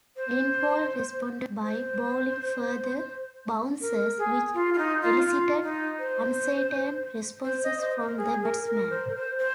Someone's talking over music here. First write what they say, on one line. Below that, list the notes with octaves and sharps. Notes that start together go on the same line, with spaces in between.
Lindwall responded by bowling further bouncers, which elicited uncertain responses from the batsman.
C5
C5
A#4
G#4
F4
F4
D#4
F4
F4
D#4
C5
C5
D#5
D#5
C5
A#4
G#4
A#4
A#4
C5
A#4
C5
C5